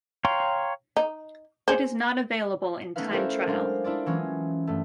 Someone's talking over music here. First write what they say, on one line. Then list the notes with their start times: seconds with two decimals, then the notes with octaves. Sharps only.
It is not available in Time Trial.
0.25 C#5 F5 G5 A#5 C6
0.97 D#4
1.68 G#4 C5
2.96 A3 B3 C#4 D#4 B4 F5
3.10 E4 F4 A4 A#4 C5 C#5
3.46 F#3 G#3 D4 C5 F5
3.84 D4 E4 F4 D5
4.06 E3 F#3 G#3 C#4 F4
4.67 G2 A3